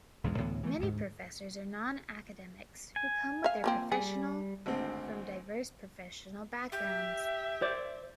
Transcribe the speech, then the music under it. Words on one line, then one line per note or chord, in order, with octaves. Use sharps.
Many professors are non-academics who come with their professional from diverse professional backgrounds.
B1 E2 G2 G#3
D2 A2 E3 B3
E3 F#3 A3
D2 G#2
G#5
E5 F5
F3 A#3 C4
G3 G#4
G#1 D2 C4
G4 E5
C5 D5